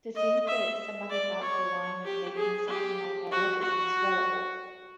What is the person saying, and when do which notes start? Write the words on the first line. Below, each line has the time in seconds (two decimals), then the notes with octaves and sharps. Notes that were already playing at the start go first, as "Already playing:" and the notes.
to think that somebody thought the line of making something like that up is incredible.
0.16 D#5
0.47 E5
1.10 D5
1.42 C#5
2.05 G4
2.37 G#4
2.68 G4
3.31 F#4
3.62 F#4